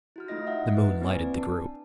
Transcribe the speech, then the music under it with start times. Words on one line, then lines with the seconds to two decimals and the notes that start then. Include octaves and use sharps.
The moon lighted the group.
0.16 E4 F#4 F6
0.28 A3 D#4 F4 D#5 A#6
0.47 E5 F#5
0.74 E4 B4
1.01 A#3 C4 B4 D5 G#5
1.37 D4 A5